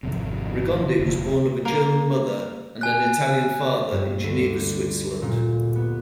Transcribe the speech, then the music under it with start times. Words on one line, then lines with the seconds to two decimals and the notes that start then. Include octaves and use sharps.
Regondi was born of a German mother and an Italian father in Geneva, Switzerland.
0.03 G#1 F2 C3
0.99 F1 D2
1.65 A#3
2.81 G#5 F#6
3.91 G2
4.23 D2
5.22 A#2
5.75 B3